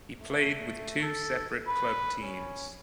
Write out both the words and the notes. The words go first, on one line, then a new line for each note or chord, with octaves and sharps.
He played with two separate club teams.
A3
A4
B4
C#4